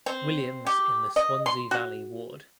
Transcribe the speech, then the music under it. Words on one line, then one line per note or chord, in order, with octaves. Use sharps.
Williams in the Swansea Valley ward.
C4
G4
D#5
C6
F#4